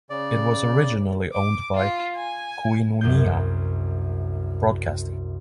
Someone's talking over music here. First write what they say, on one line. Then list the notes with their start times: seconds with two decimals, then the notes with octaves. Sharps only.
It was originally owned by Koinonia Broadcasting.
0.10 C#3 D5
1.33 D6
1.75 F4
2.15 G#5
3.01 C2 F#2 G#4 G6